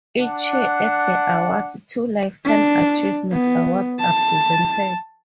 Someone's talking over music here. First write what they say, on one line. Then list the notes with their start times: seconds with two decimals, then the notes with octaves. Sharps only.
Each year at the awards, two lifetime achievement awards are presented.
0.19 D4 F#5
2.45 D4
3.32 B3
4.00 A5